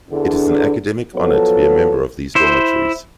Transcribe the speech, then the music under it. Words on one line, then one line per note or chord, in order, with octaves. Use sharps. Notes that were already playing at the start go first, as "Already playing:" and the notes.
It is an academic honor to be a member of these dormitories.
E2 D3
F3 F#3 B3 A4
E4 C5